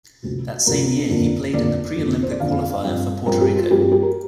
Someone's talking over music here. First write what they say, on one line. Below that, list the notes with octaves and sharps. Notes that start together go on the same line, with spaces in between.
That same year, he played in the Pre-Olympic qualifier for Puerto Rico.
D2 C3 F3
D2 C3 F3 A#4
F2 D3 A#3 D4
F2 D3 A#3 D4 D5
F2 D3 A#3 D4
C5
D5
F2 D3 A#3 D4 F5
F5
G2 F3 C4
G2 F3 C4 A#4
G4
F4
G2 F3 C4 G4
G4
G4
A#4